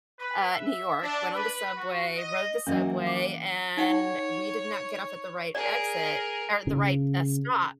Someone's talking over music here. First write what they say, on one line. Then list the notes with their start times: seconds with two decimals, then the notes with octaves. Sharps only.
uh, New York, went on the subway, rode the subway, and we did not get off at the right exit er, the right, uh, stop
0.19 B4
0.51 E5
1.02 D4
1.33 B4
1.76 F#4
2.16 D#5
2.67 E3 F#3 A#3 C#4 D#5
3.07 D6
3.77 D#4 C#5 F#5 G5
5.55 G#4 A#4 D5
6.67 C#3